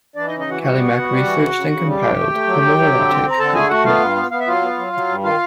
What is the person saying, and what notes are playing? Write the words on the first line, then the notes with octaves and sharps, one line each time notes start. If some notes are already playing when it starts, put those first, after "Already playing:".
Calimach researched and compiled homoerotic Greek myths.
E3 D4 D5
D#4 D#5
C#3
D#4 D#5
E3 F#4 F#5
G3 F#4 F#5
B3
B3
G3
E3
C#3
C#3
C#3
G3
A3 G4 G5
A3
A3
F#3
F#3
F#3
D3
C4
C4
A#5
D3 A4 A5
A3 G#4 G#5
A3 F#4 F#5
B3 F4 F5
G2
B3
B3 F5
E5
F#3 F4 F5
B3
F#3
F#3
G2
D#3 F4 F5